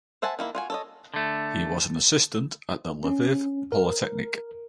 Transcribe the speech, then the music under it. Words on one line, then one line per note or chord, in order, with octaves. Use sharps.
He was an assistant at the Lviv Polytechnic.
C5 E5 F#5 G#5 A5
D#3 A#3 E4
F4 F#4 G#5
A4 C#5 D#5
D3 A3
C#4
A#4